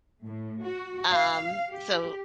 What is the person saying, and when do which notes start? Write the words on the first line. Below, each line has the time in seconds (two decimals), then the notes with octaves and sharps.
um, so
0.24 A2
0.64 F#4
1.13 F5
1.71 G4